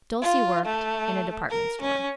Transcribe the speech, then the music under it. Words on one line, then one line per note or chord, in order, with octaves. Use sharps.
Dulcie worked in a department store.
F4
A3
A#4
C#4